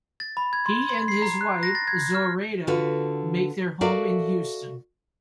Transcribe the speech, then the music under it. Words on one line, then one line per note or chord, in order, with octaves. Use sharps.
He and his wife, Zoraida, make their home in Houston.
A6
B5
G#6
C6
C6
C7
A#5
F#6
A#6
A6
G#6
F6
D3 F4 F#4 A4 B4
F#4 A4 A#4 D5 E5 F5